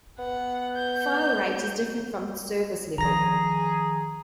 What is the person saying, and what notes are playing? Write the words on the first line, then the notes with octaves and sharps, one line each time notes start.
File rate is different from service level.
B3 F#5
G6
D#3 F3 G#4 A#5 A#6